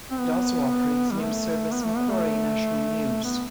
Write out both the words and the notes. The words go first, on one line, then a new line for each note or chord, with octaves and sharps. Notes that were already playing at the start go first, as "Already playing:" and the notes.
It also operates news service Macquarie National News.
C4
B3
G3
A3
B3
A3
B3
A3
B3